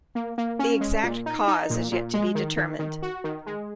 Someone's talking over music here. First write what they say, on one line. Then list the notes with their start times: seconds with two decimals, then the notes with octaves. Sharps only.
The exact cause is yet to be determined.
0.15 A#3
0.38 A#3
0.59 C#4
0.81 G#3
1.03 A#2
1.26 D#4
1.48 D#4
1.70 A#2
1.92 A#2
2.14 G#3
2.35 D#3
2.57 D#3
2.79 D#3
3.02 F#4
3.24 D#3
3.46 G#3